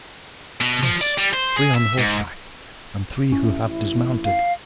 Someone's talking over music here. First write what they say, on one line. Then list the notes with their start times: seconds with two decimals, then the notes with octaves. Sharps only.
"Yes, three on horseback and three who have dismounted."
0.61 B2
0.83 F3
1.01 D5
1.18 G3
1.34 C5
1.57 G#4
1.74 E5
1.98 G#2
3.32 A1 C#4 E4
4.25 F5